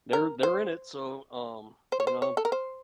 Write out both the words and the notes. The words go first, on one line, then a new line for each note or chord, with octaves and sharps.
they're they're in it. So, um, you know?
A#4
C5
C5
C#5
C5
C#5
A4
A#4
C5